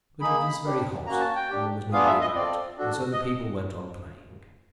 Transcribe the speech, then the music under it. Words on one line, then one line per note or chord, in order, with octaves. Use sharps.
But it was very hot, and there was nobody about, and so the people went on playing.
A#3 D#4 G#4 B5
D4 G4
A#3 C#4 F#4 A#5
A5
G5
D4 G4
B3 D4 F4 G#4 F5
E5
D#5
C4 F4 A4 D5
D4 F#4 A4
D#5